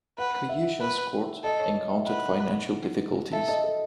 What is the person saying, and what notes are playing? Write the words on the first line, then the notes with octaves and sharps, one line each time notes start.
Khayishan's court encountered financial difficulties.
B4 F#5
E5
B4
A4 D#5
C#5
D#5
E5
B4 F#5
A4 E5
D#5
A4